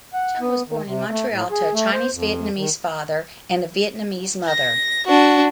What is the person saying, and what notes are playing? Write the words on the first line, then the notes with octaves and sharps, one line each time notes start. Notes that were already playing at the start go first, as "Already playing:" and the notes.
Chung was born in Montreal to a Chinese-Vietnamese father and a Vietnamese mother.
F#5
B3
D#3
C3
A3
A2
G#4
A3
C5
F2
D#3
A#6
D4 F#4